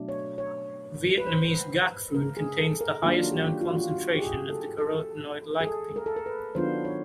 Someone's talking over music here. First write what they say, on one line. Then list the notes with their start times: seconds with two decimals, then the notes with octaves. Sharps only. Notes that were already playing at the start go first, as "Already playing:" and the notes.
Vietnamese gac fruit contains the highest known concentration of the carotenoid lycopene.
Already playing: B2 F#3 A3 D4
0.09 C#5
0.38 C#5
1.18 B4
1.27 C5
2.15 A#4
2.37 G#4
2.58 A4
2.81 A#4
3.02 D#3 F#3 A#3 D4 F4
3.14 F4
3.23 F#4
3.32 G4
3.61 F4
3.69 F#4
3.76 F4
3.91 F#4
4.14 G4
4.20 G#4
4.49 A4
4.78 A4
5.61 G#4
5.67 A4
5.96 A#4
6.06 A4
6.16 A#4
6.26 B4
6.55 D#3 F#3 B3 D4 F4 C5
6.85 C#5